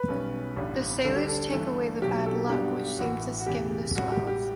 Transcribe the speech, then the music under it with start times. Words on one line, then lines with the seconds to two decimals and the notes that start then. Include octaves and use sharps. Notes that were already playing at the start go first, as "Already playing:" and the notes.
The sailors take away the bad luck which seemed to skim the swells.
Already playing: B4
0.08 B1 B2 G3 C#4
0.56 A1 G2 D3 G3 B3
1.05 D2 D3 G3 D4 A4
1.16 G4
1.28 A4
1.53 G2 E3 A3 D4 A4
2.02 B1 B2 F#3 G4
2.26 A4
2.49 G2 F#3 B3 D4 G4
2.98 A1 A2 E3 F#4
3.39 F#4
3.46 E1 E2 C#3 E3 G4
3.95 A1 A2 G3 F#4
4.12 G4
4.27 G4